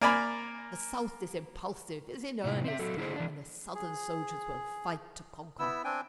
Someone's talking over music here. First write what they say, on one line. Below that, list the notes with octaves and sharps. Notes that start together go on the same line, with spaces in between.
The South is impulsive, is in earnest, and the Southern soldiers will fight to conquer.
A#3 D5 G#5 A#5 B5
A2 C3 E4
C4 E5
F#3 A4
D3 E4 G#4 C5
E3 D4
G#4
B3 E4 E6
C4 D4 G5 G#5